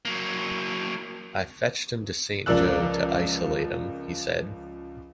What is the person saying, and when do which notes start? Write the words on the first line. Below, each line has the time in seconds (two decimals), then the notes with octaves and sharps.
'I fetched 'em to Saint Joe to isolate 'em,' he said.
0.05 F#3 A#3
2.46 C#2 F3 A#4 D5 E6 F#6